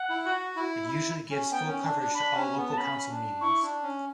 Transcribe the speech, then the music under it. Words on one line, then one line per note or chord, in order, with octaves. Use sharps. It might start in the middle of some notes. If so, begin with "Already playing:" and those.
It usually gives full coverage to all local council meetings.
Already playing: F#5
E4
F#4
E4
E4
C#4
B3 G5
C#4
D4
D4
D4 B5
C#4
B3
A5
C#4 B5
D4
E4 C#6
D4
C#4